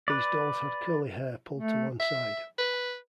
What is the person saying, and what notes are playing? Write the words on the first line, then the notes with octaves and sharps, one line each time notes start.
These dolls had curly hair pulled to one side.
B4 D5
A3
E5
B4